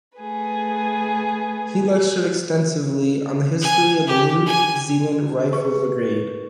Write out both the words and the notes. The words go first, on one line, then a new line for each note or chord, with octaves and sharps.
He lectured extensively on the history of the New Zealand Rifle Brigade.
A3 G#4 B4
G#5
G4
G#5
G#4 B4 C#6